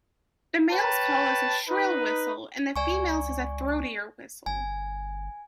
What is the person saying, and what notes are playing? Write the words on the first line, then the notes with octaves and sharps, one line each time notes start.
The male's call is a shrill whistle, and the female's is throatier whistle.
B4 C#5 G5 A5
D#4 B4
C#2 D5 G#5 C#6
G1 G#5